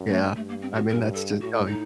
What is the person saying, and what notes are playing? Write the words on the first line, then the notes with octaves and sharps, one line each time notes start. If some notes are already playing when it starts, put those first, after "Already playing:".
Yeah, I mean, that's just oh y
Already playing: F#2
A3
G2 A3
A#3
C4
F#4
G2 A#4
A4
A2 F#4
D#4